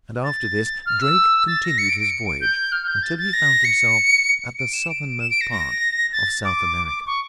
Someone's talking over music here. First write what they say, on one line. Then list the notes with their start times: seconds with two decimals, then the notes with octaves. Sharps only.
And after this Drake continued his voyage, until he found himself at the southernmost part of South America.
0.24 A6
0.86 F6
1.02 E6
1.48 A6
1.64 A#6
1.78 C#7
1.89 D7
2.00 D7
2.10 C#7
2.26 D7
2.41 G6
2.72 F6
2.88 G6
3.03 A6
3.19 A6
3.33 A#6
3.64 C#7
4.58 D7
4.73 E7
4.89 D7
5.20 E7
5.30 D7
5.41 A#6
5.51 A#6
6.13 A6
6.44 D6
7.06 C#6